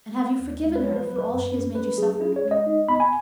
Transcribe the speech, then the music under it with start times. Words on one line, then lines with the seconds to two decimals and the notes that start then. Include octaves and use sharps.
"And have you forgiven her for all she has made you suffer?"
0.16 B3
0.39 D#2
0.62 G#3
0.76 B4
0.84 B3 C#5
0.96 B4
1.07 F#3 B4
1.19 B4
1.30 F#2
1.53 C#4
1.75 C#4 B4
1.98 F#3 G#4
2.21 C#4 G#4
2.36 C#5
2.44 G#3
2.51 D#5
2.66 D#4
2.89 B3 B5
3.00 G#5